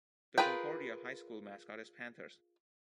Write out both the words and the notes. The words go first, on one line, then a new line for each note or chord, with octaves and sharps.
The Concordia High School mascot is Panthers.
F4 G#4 A#4 B4 G5